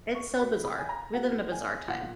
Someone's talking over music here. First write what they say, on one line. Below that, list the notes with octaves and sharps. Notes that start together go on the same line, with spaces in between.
it's so bizarre. We live in a bizarre time.
C#6
B2 B5
B5
G#5
A#5
B2 F#5
G#5
A#2 F3 F#5